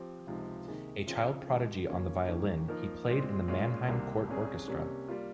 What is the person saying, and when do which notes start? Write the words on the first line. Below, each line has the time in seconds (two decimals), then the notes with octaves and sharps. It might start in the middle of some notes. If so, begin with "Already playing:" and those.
A child prodigy on the violin, he played in the Mannheim court orchestra.
Already playing: F3 C4 G4
0.27 C#2 C3 F3 G#3 D#4
0.68 C3 D#3 A#3 D#4 G#4
1.07 C#3 F3 C4 F4 G#4
1.47 D#3 G#3 D#4 G4
1.88 C#3 F3 A#3 C#4
2.28 D#2 D#3 A#3 C#4
2.68 F3 A#3 D#4 A#4
3.08 A#2 G#3 C4
3.48 A#2 G#3 C#4 F4
3.88 C2 C3 D#3 A#3
4.28 C2 C3 G3 C#4 G#4
4.68 C3 G3 A#3 C#4
5.08 G3 A#3 F4